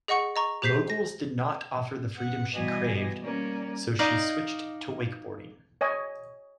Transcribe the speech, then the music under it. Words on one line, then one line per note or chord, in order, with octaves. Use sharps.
Moguls did not offer the freedom she craved, so she switched to wakeboarding.
G#4 D#5 F#5 C#6 C#7
D#5 A#5 C#6
G4 G#4 C5 G6 B6 C7
A#6
B3 F#5
B2 E3 G3 D5 D#5 G#5
G3 A#3 C#4 D5
D#4 D5 D#5 F5
C#5 D#5 G#5